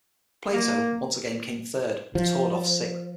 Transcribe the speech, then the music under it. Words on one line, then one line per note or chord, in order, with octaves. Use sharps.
Plato once again came third, with Tordoff sixth.
A#3
F3